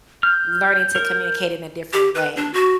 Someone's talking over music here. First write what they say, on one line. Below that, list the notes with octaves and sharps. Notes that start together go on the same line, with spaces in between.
learning to communicate in a different way.
F6 G6
A#4
G4
B4
D4
F#4